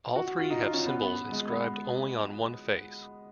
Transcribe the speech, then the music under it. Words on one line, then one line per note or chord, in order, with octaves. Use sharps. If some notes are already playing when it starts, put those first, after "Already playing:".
All three have symbols inscribed only on one face.
F#4
F4
D#4
F4
C#4
B3
B3
G#3
B3